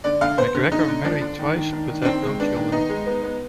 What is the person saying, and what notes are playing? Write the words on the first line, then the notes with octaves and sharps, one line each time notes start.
McGregor married twice but had no children.
D3 D5
D3 F5
B3 C5
D3
D3 D#4
D3
F3 D4
D3
D#3
D#3
D#3
D#3
D4
D#3 C4
G#3
B3 D4
D#3
B3 D#4
G#3
B3
B3